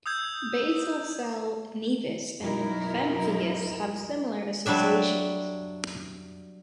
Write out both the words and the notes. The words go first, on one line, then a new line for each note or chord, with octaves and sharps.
Basal-cell nevus and pemphigus have similar associations.
D#6 E6 G6 G#6
F#2 B2 D#4 E4 A#4
F#3 G3 D4 E5